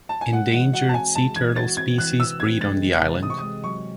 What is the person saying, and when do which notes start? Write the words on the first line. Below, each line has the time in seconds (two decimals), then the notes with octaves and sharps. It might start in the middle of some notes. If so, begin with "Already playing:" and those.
Endangered sea turtle species breed on the island.
0.09 A5
0.21 G#5
0.32 G#3 F#5
0.53 E3 F#5
0.73 F#4 F#5
0.89 A5
0.94 C4 G#5
1.15 G#3 A5
1.36 E3 G#6
1.56 F#4 A6
1.77 C4 G#6
1.98 E3 F#6
2.19 C3 E6
2.40 C4 G#6
2.60 G#3 A6
2.81 E3
3.02 C3
3.22 C4 D#6
3.30 C#6
3.39 G#3 D#6
3.64 F#3 C#6